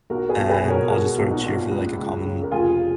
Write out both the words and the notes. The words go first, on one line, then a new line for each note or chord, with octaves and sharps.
and I'll just sort of cheer for like a common
B1 F#4 A#4
G#4 B4
B1
G#4 B4
B2
A#4 C#5
G#3 F#4 A#4
B1
D#4 F#4
A#2
C#2
C#2
C#3
A#4
F1 F4 G#4